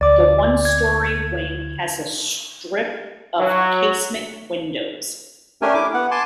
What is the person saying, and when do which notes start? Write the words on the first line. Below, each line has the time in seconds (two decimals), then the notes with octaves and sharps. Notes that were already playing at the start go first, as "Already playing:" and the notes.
The one story wing has a strip of casement windows.
0.01 D2 D5 D6
0.65 G#6
3.39 F#3
5.62 A3 C#4 D4 G4 A#4 G#5
5.74 E4 D6
5.94 B3 F#5
6.11 G#5 A5 C6 D6